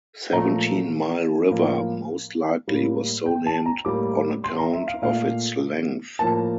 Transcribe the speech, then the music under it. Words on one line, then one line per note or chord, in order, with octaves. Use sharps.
Seventeen Mile River most likely was so named on account of its length.
A#2 F3 A3 A#5
A2 F3 A#3
A2 G3 A#3
G5
A5
A#5
A2 G3 A#3 D6
C6
A#5
E5
F5
A#2 A3 F5
A2 F3 A#3 A5